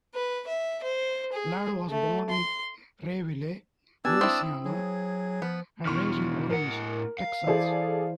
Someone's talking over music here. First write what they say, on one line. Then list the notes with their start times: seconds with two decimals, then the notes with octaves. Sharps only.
Ladd was born in Rayville, Louisiana and raised in Orange, Texas.
0.14 B4
0.47 E5
0.83 C5
1.33 G#4
1.90 A3
2.30 C6
4.05 B3 D4 G4 D5 G#5 E6
4.21 C4 E4 D#6
4.65 F#3 G#4
5.42 F3 B3
5.85 B2 E3 C6 C#6 F6
6.50 A2 A#4 F#5
7.18 F5
7.47 E3 E4 G#4 A4 C5 D5